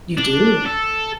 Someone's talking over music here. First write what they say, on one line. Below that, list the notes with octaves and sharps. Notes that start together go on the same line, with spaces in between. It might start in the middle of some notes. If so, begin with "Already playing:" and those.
You do.
D4
A4